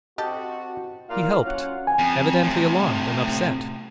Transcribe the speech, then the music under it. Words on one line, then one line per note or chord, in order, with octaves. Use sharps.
He helped, evidently alarmed and upset.
C4 F#4 G4 A4 D#5 A5
A#2 E4 F5
F#3 C#4 F4 F5 F#5
G#5
F2
A2 C3